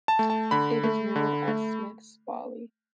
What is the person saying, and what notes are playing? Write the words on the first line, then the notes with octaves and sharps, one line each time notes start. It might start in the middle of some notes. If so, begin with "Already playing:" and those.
It is known as "Smith's Folly".
A5
A3
A5
D3 B5
A3
D3
A3